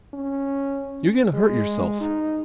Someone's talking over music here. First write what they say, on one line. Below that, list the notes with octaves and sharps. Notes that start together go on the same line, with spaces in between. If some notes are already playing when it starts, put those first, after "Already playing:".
You're going to hurt yourself.
C#4
G#3
D#4